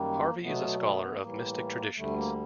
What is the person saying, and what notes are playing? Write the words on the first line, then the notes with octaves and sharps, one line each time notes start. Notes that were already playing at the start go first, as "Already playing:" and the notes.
Harvey is a scholar of mystic traditions.
Already playing: F#2 D#3 G3 A#3
B2 F#3 A3 B3
A3 B3
A3
A2 E3 G3 A#3
D2 D3 G3 A3
A#3